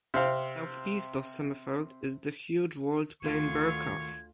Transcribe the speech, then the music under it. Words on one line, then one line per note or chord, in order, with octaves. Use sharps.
Southeast of Sommerfeld is the huge walled plain Birkhoff.
C3 C4 F5
D2 D#3 F4 C#6 G#6